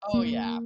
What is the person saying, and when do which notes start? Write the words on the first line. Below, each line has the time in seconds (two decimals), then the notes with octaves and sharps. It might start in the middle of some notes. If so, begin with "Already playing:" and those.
Oh yeah,
0.14 A#3